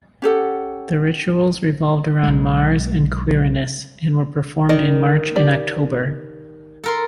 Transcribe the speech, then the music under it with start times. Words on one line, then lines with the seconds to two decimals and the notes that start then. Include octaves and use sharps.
The rituals revolved around Mars and Quirinus, and were performed in March and October.
0.22 C#4 G4 A4 F#5
2.23 B1 G#3
4.69 D#3 D5 D#5
5.36 G4 D5
6.84 A4 A#4 C6